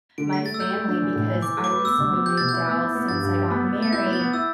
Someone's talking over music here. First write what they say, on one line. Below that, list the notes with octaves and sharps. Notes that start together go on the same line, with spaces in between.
my family because I recently moved out since I got married,
D3 D7
A3 B6
A3 A6
E6
A3 G6
A3
D4
E3
A2
E3
E3 D6
A3
D6
B4
B3 E6
D2
B3
G4 G6
B2 A6
E4 G6
B3
E4
B3
G2 A6
G2
G4
B3
B3
B3 A6
E4 G6
B3
A6
B3
E4 E6